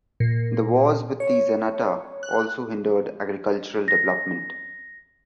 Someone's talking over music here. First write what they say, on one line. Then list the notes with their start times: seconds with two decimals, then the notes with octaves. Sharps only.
The wars with the Zenata also hindered agricultural development.
0.20 A#2
1.20 C#5
2.23 F#6
3.88 A#6